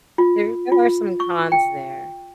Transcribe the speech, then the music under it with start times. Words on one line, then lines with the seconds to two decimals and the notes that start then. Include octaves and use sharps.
there there are some cons there.
0.18 F4
0.72 F4
1.20 C#6
1.52 G5